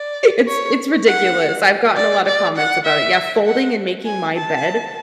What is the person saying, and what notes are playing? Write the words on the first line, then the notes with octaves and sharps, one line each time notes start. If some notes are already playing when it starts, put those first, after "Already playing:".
it's it's ridiculous, I've gotten a lot of comments about it; yeah, folding and making my bed
Already playing: D5
C#5
F#5
D5
D5
F#5
E5
F#5
G#5
A5